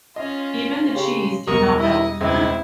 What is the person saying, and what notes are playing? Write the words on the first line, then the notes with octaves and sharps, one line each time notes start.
Even the cheese did not help.
C#4 F4 D#5
C#3 G4 C6
E1 C#2 F#3 B3 A#4 C#6 D#6
G3 E4 D#5
E1 C#2 C4 E4 B4